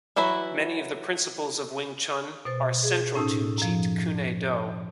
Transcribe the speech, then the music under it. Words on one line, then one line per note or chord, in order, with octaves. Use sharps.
Many of the principles of Wing Chun are central to Jeet Kune Do.
E3 F#3 E4 F#4 B5
B2 C5 A6
G#4
A2 C#4 D#4 A5 D#6 E6
F#2 F3